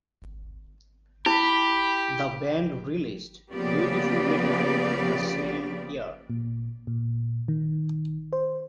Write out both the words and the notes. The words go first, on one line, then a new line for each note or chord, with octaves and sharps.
The band released "Beautiful Midnight" the same year.
E4 G4 B5
C#3 F3 A#3 B3 G4 D5
A#2
A#2
D#3
C5